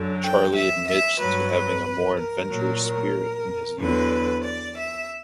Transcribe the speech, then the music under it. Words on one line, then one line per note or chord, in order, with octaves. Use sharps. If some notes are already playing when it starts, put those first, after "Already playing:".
Charlie admits to having a more adventurous spirit in his youth.
Already playing: F#2 D3 F#3
G5
E5
E5
G2 F#3 B4
B4
A#4
A#2 F#3
A#4
E2 D3 F#3 B4
D5
E5